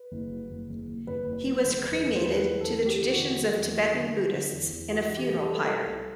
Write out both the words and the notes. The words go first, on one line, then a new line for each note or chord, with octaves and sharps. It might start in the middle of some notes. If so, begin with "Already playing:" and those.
He was cremated to the traditions of Tibetan Buddhists in a funeral pyre.
Already playing: B4
F#1
F#3
F#1
F#1
F#1
F#1 B4
F#1
B4
F#3
C5
F#1
E2 B4
E2
C5
E2 B4
F#3
E2 A4
E2
G4
E2
F#4
D3
F#3
E2
F#3
D3
F#3
D3
E2
E2
C3 F#4
E3
G4
C3
G4
A4
G3
G3 A4
C2